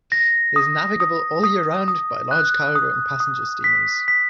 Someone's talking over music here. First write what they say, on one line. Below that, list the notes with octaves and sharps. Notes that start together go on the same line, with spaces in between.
It is navigable all year round by large cargo and passenger steamers.
A#6
D#6
D#6
D#6
D#6
F#6
D#6
D#6
B6
B6